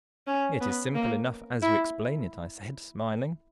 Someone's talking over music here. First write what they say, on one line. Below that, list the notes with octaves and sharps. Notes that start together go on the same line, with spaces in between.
"It is simple enough as you explain it," I said, smiling.
C#4
B3
A#3
E4